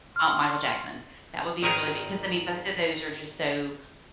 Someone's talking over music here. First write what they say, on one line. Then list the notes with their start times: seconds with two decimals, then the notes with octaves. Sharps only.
ho uh, Michael Jackson. That would be a really big 'cause I mean, both of those are just so
0.16 C6 C#6 F6
1.63 G#1 D#3 A#4 B4 G#5 A#5